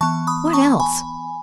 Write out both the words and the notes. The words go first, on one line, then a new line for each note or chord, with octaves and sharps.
"What else?"
E3 B3 A5 C#6
B5 D#6
A5 C#6
G#5 B5